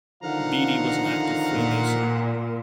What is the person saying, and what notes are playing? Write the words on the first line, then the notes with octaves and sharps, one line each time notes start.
Beedy was an active Freemason.
D3 D#3 F3 F5 F#5 A#5
A#2